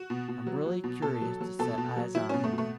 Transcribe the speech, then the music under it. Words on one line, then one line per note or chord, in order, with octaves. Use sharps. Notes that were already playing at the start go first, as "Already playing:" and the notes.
I'm really curious to set eyes on him.
Already playing: F#4
B2
B2
F#3
F#3
B2
B2 A4
F#3
F#3
B2 A4
B2
F#3
F#3 E4
B2 C#4
A3
B2
A3